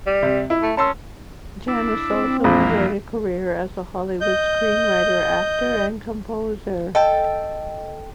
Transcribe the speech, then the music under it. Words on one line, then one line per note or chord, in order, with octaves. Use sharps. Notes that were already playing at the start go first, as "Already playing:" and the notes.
Janis also enjoyed a career as a Hollywood screenwriter, actor, and composer.
G3
C3
E4
A3
C#4 A5 C6 E6
D4 E4
C4
A#1 F2 E3 A#3
D#5 G6
A4 D#5 G5 A5